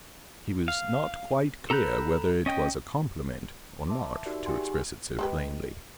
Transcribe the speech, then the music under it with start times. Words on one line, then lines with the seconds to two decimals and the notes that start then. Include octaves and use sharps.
He was not quite clear whether it was a compliment or not, to express it so plainly.
0.68 F5
1.70 A4 A#5 B5 F#6 G6
2.46 C#4 D#5 G5
3.87 E5 A5 C6 D6
4.25 D#4 F#4 G4 A#4 D5 E5
4.46 D#4 G4 G#4 F#5 G#5 C6
5.19 G#3 G4 B4